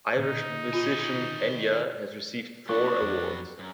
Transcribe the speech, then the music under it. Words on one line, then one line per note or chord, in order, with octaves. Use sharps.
Irish musician Enya has received four awards.
A#2 D3 D#4 E5
D#3 F4 B4 G#5
F#3 A#3 B3 D4 F#4 C#6
F2
F#2